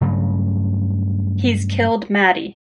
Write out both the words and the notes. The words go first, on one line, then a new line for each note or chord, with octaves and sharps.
He's killed Maddie.
G2 C#3 F#3 A3